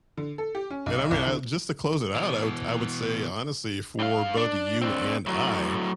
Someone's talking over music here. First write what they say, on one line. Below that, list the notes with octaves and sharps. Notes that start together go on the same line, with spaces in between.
And, I mean, I just to close it out, I would I would say, honestly, for both you and I,
D3
A4
G4
C#4
B1
C2
D3
B2 E3
G2 F5
D4
C4 D4
A2 F#3